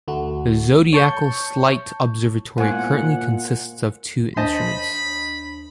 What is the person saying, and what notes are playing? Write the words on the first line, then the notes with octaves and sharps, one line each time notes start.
The Zodiacal Light Observatory currently consists of two instruments.
D2 A3 F#4
C#5 A5 C#6 G6
A#2 G#3 B3 E4 C5 F#5 G#5
D#2 D4 C5 D#5 A5 B5